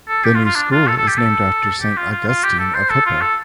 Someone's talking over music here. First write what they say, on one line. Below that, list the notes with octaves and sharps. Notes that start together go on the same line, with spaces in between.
The new school is named after Saint Augustine of Hippo.
A4
G4
F4
F4
D4
F4
A4
A4
G4
A4
G4
F4
F4
F4
G4
A4
C5
A4
F4
A4